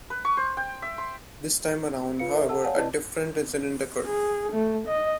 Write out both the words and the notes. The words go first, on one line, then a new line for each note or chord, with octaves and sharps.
This time around, however, a different incident occurred.
B4
C#6
C5
G5
E5
C6
F4 B4 F5 C#7
A4 A#4 C5 D#5 E5
A4 F#5 A5 E6
C#5 D5 F5 F#5 G#5 A5
E4 B4 D5 D#5 A5
G#4
A3
D#5